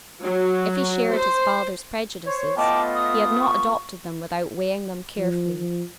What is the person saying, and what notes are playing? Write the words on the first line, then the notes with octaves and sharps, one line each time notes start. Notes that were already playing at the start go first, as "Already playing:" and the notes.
If he shared his father's prejudices, he had not adopted them without weighing them carefully.
F#3
C5
C5 C#5
A3 B3 F4 D#5 G5 A5 D6
D#6
C#6
F3
F3